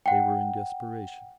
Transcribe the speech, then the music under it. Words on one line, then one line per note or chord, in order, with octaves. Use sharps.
They were in desperation.
F#5 G5